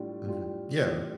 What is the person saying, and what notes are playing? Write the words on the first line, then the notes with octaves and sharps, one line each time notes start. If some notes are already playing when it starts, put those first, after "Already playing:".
Mhm, yeah.
Already playing: A2 G3 D4 F4
A2 G3 D4 F4
A2 G3 D4 F4